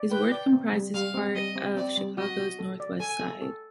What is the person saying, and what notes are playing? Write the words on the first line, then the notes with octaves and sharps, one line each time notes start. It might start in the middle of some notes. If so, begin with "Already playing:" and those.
His ward comprises part of Chicago's Northwest Side.
Already playing: D5
B4 G5
D5
C4
G3
G3 F5
C4
G3 D#5
C4
C4 D5
G3
F#4 D#5
F#4
A4
D5
A4 G#5
A4
A4